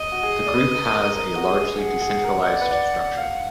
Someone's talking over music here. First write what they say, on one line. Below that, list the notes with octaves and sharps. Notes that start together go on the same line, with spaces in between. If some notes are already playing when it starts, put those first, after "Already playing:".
The group has a largely decentralised structure.
Already playing: D#5
F#4
G#4
D5
B4
A#4
A#4
F#4
G#4
G#4 F#5
G#4
A#4
D5
B4
D5
F5